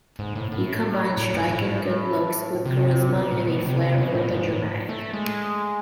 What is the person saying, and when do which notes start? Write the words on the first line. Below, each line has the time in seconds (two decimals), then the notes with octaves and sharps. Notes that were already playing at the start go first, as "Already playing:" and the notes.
He combined striking good looks with charisma and a flair for the dramatic.
0.19 G#2
0.36 A2
0.52 A2
1.18 A2
1.34 G#2
1.50 A2
2.66 C3
3.16 B2
3.32 A2
3.48 B2
3.65 C3
3.82 C3
3.98 B2
4.14 A2
4.31 G#2
4.48 A2
4.89 A3
5.14 G#3